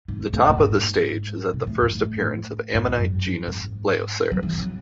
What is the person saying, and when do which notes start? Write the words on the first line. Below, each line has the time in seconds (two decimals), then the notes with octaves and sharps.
The top of the stage is at the first appearance of ammonite genus "Leioceras".
0.08 G#2
0.33 A2
0.49 A2
0.57 G#2
1.53 B2
1.67 A2
1.82 G#2
1.95 A2
2.74 G#2
2.89 G#2
2.98 F#2
3.47 G#2
4.32 F#3
4.43 E3
4.58 F#3